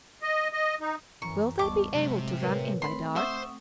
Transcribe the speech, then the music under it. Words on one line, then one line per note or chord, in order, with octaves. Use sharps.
"Will they be able to run in by dark?"
D#5
D#5
D#4
F#2 E3 A#5 C#6
C#2 G3 B3 D#5 A5 C#6 D6
A2 C3 F#3 G#3
A#4 B4 C#5
A3 C4 B5 C6
C5 E5 F#5 C6 C#6 D#6